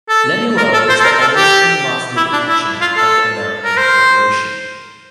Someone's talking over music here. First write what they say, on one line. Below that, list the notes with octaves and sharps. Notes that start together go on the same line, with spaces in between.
Lemuel was the oldest and last living pensioner of the American Revolution.
A4
A#4
A4
C5
A4
A#4
A4
G4
E4
D4
E4
F4
A4
A#4
C5